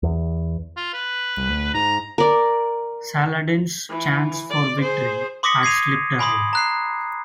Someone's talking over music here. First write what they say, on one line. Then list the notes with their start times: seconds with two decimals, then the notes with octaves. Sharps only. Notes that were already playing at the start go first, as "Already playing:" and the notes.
Saladin's chance for victory had slipped away.
0.03 E2
0.77 F4
0.93 B4
1.37 C2
1.49 D2
1.74 G#2 A#5
2.18 A#4 D5
3.90 E3
4.50 D5
4.80 G#4 C5
5.43 C6 D6 D#6 A#6 B6 C#7
5.63 G#6 C7 D#7 F7
6.19 G#5 B5 C6 D#6
6.53 A#5 F#6 C7